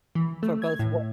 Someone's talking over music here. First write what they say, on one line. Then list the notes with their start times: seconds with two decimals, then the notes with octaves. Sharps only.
for both work
0.15 E3
0.43 A3
0.62 G#6
0.79 A2